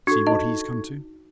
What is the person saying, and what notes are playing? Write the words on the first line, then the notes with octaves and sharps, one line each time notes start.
See what he's come to!
D4 F#4 A4 C#6 G#6
D#4 D#5